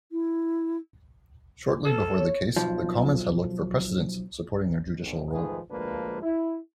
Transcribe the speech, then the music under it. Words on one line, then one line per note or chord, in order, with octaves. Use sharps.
Shortly before the case, the Commons had looked for precedents supporting their judicial role.
E4
A4
C#5
B1 F3
A#1
G#2 D#3 F3 A3 G#4 B4
D2 F3 G#3 A#3 D4 B4
E4